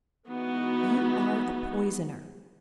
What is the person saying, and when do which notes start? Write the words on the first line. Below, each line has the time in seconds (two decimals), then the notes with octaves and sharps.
"You are a poisoner."
0.29 E3 G#3 B3 D#4 F#4